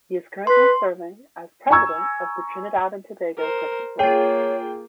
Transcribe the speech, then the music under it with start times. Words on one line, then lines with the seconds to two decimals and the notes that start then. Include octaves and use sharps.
He is currently serving as President of the Trinidad and Tobago Cricket Board.
0.47 B4 C6
1.71 G#5 A#5 C#6 E6 G#6
3.38 A#4 C5
3.99 A#3 F4 G#4 C#5 G5